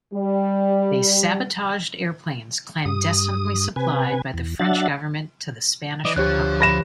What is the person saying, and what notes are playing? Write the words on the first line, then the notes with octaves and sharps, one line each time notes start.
They sabotaged airplanes clandestinely supplied by the French government to the Spanish Republic.
G3
G2 D#6
C3 B4 G#5
E2
F#3 D4 E5 F#5 A6
E3 D5 D#5
D2 F3 G4 C#5 F#6
B5 A#6 E7